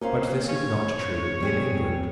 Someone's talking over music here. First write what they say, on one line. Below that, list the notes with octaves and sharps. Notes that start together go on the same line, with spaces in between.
But this is not true in England.
A#3 C4 C#4 C5 F5
C#5
G3 C4 D4 G#4